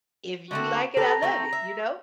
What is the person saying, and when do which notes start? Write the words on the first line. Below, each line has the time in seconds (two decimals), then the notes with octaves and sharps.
"if you like it, I love it." You know?
0.51 D3 A3 C4 F#4
0.97 G4 A4 B4 A#5
1.23 A3 C4
1.53 E5